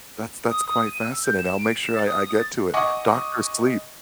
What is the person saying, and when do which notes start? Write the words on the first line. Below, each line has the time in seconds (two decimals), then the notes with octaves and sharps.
That's that's quite fascinating. I'll make sure I I get to it. Doctor Sleep.
0.49 D#6
0.64 D#6
0.86 D#7
1.04 E6
1.24 G6
1.38 E7
1.58 D7
1.82 E7
1.95 A6
2.06 D#6
2.23 D#6
2.37 A6
2.74 D#5 F#5 G#5 C#6 D6